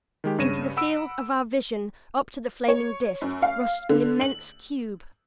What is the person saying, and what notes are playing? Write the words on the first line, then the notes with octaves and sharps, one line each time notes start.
Into the field of our vision, up to the flaming Disk rushed an immense cube.
D#3 G#3 G4
G2 C#3 C#5 A#6 D#7 E7
F#5 B5 E6 D7
C#5
F#2
F5
D3
F#7